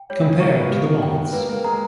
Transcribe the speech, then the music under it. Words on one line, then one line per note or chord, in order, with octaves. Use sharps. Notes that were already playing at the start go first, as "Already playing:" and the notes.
Compare to the waltz.
Already playing: G5
G3 G4 C#5
G#3 G#4
A#3 A#4 C#6
B3 B4
A#3 G4 A#4
G5
A#3 A#4 B4
A#3 A#4
G#3 G#4 A#5